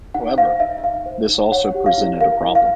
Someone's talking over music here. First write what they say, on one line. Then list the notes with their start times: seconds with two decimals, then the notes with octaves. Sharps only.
However, this also presented a problem.
0.14 D#4 F#5
0.37 C5 F5
0.60 D#4 E5
0.78 E5
0.83 D#4 F5
1.06 C5
1.29 D#4
1.52 C#5 F#5
1.74 G4
1.86 F5
1.98 E4
2.21 A#4 F5
2.43 E4
2.55 F5